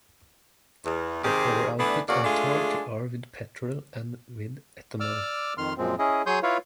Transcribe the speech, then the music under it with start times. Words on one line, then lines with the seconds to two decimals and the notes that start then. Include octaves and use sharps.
The power output and torque are with petrol and with ethanol.
0.85 E2
1.24 C3 D#3 C4 G4 G#4
1.79 E3 A3 B3 D4
2.09 E2 A#3 C#4 F#4 D5
2.24 G#3 A3 D4 F4 G#4
5.00 D5 D6 E6 F6
5.58 F2 D#3 C6 F6
5.78 F#2 A#2 F3 G#3 C4
5.99 C#4 E4 G#4 D#5
6.26 F#3 G#4 C#5 C6 D#6 G6
6.43 E4 F4 B4 C#5 F5